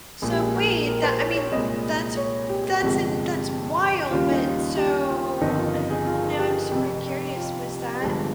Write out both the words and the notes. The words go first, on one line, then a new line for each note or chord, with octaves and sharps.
So, wait, the I mean, that's f that's in that's wild, but so, and now I'm super curious, was that
A#1 A#2 G#3 G#4
G4
G#4
A#4
A#4
C5
C#5
C#5
C2 A#2 G#3 D#5
C#5
G4
G1 F2 C3 F3 G#3 G4
D#2 C#3 G3 F4
D#4
F4
G4
F4
G1 F2 D#3 D#4
F4
G#4
F4
G4
F1 F2 C3 G4
F4
G1 G2 F3 G#3